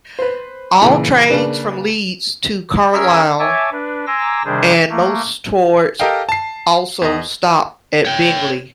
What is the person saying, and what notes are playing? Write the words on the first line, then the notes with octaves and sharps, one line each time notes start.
All trains from Leeds to Carlisle and most towards also stop at Bingley.
B4 C5
A#2 C#3 E3
C#3 A#3 D4 B4
C#4 G#4 A#4 E5
C#5 E5 G#5 A5 D6
D4 B4
G#5 A#5 C6 D6 E6 A#6
C3 D#3 G3 D4 G#4 C5
A3 A#3
G4 A4 A#4 D#5 F5 G5
A5 C7
E2 D#5
C#5 G5